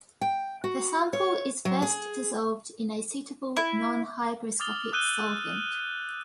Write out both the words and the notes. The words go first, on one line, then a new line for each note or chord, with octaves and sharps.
The sample is first dissolved in a suitable, non hygroscopic solvent.
G5
F#4
C#5
F#3
G#4
E4
D6 D#6 F6 A6 F7 G7
D#6 E6 F#6 G6 D#7 G7